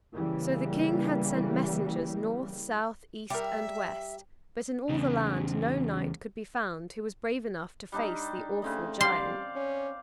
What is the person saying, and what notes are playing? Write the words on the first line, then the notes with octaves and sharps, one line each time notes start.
So the King had sent messengers north, south, east, and west, but in all the land no knight could be found who was brave enough to face the awful giant.
C#3 E3 G3 A#3
G3 G4 A#4 E5
E2 C#3
G3 D4 D#4
C#3 A3 C4 D#5
G3 C5 D5 F5 C6
C#4